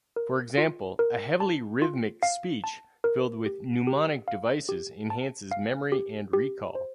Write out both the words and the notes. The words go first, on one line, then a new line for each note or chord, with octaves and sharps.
For example, a heavily rhythmic speech filled with mnemonic devices enhances memory and recall.
A#4
F4
A#4
A5
F4
F5
A5
A#4
G4
G4
F5
G4
A5
F5
G4
G4
C5